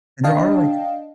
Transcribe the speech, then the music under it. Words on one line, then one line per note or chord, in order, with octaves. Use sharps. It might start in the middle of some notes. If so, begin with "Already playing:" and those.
and there are, like
D4 D#5 F5 G5 A5